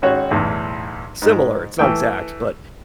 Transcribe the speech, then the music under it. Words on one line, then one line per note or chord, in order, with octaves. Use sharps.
similar, it's not exact, but
G#1 C#4 F#4 C#5
B1 E2 A2
G#2
E3 A3 G5